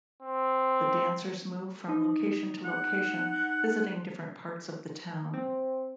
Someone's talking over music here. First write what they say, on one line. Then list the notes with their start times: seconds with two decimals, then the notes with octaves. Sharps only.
The dancers move from location to location, visiting different parts of the town.
0.22 C4
1.89 D#4
2.65 F#5
5.34 C4